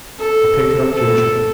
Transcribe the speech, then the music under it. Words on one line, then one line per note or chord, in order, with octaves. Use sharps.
I picked it up gingerly.
A4
A4